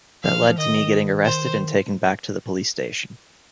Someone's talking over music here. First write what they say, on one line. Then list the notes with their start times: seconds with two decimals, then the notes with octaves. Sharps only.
That led to me getting arrested and taken back to the police station.
0.24 F3 F5
0.50 F3
0.58 D#3 D#5
1.25 C5